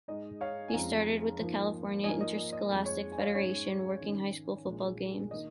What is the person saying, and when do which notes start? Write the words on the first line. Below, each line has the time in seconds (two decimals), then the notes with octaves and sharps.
He started with the California Interscholastic Federation, working high school football games.
0.08 G#2 G#3 D#4 D#5
0.41 C#5 F5
0.68 G#5
0.73 F2 F3 G#3 C#4 F5 A#5
1.39 G#2 F3 A#3
2.04 G#2 F3 A#3 D#5 G#5
2.21 D#5
2.37 D#5
2.53 D#5
2.70 F2 F3 G#3
2.85 C#5
3.12 G#5
3.18 C#5 F5
3.35 G#2 G#3 C#4 C#5
4.00 G#2 D#3 C#4
4.65 A#1 A#2 G#3
5.31 D#3 A#3 D#5